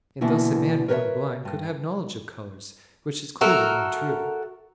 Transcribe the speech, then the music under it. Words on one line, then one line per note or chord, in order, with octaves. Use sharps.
And thus a man born blind could have knowledge of colors; which is clearly untrue.
B2 D3 E3 A#3 E4
A#4 B4 C#5 D#5 E5
G2
F#4 A4 A#4 E5